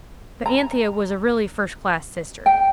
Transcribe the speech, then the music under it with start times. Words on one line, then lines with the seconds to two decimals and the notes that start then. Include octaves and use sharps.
But Anthea was a really first-class sister.
0.46 A#5
2.46 G5